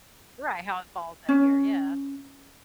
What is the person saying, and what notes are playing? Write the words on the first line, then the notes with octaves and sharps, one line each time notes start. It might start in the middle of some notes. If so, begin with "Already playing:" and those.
Right, how it falls that year, yeah.
C#4